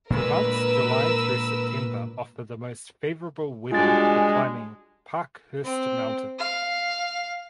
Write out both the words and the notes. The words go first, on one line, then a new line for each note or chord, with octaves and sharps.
The months July through September offer the most favorable weather for climbing Parkhurst Mountain.
A#2 D3 G#3 A#4 B4 E6
G3 G#3 D4 F4 F#4 G#5 A6
C4
F5